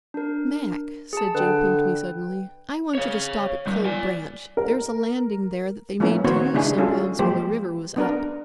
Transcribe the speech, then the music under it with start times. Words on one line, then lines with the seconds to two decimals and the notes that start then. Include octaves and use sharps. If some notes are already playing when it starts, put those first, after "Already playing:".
"Mac," said J. Pinkney suddenly, "I want you to stop at Cold Branch. There's a landing there that they made to use sometimes when the river was up."
0.14 D4 A#4
1.13 G#4 A5
1.35 D3 B4 G5
2.95 C#5 F5
3.67 G3 D#4
3.85 D5 G#5
4.57 A#4
6.00 F3 A#3 B3 C#4 E4
6.24 D#3 A#3 B3 F#4 C5 C#5
6.54 C#3 G#3 D4 E4 G#4
6.77 G#3 C#4 F4 F#4 G#4 A4
7.19 F3 G#3 A#3 G4 C5
7.96 B3 D4 A#4